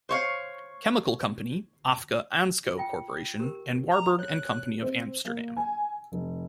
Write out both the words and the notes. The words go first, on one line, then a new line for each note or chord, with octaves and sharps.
Chemical Company, Agfa Ansco Corporation, and Warburg and Company of Amsterdam.
C5 C#5 F5
F4 G5
G4 A#4
A#5
C#5 F#6
C4
A#3
G#5
F1